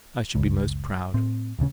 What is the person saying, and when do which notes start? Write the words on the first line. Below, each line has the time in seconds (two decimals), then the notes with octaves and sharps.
I should be most proud.
0.35 F#1 C#2
1.14 A2 C4
1.59 D#1 D2 C#3 C#4